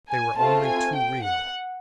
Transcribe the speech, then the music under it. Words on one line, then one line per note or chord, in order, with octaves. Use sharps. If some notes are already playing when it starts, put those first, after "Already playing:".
They were only too real.
G#5
A3 C4 F4 A5
G#5
G5
F#5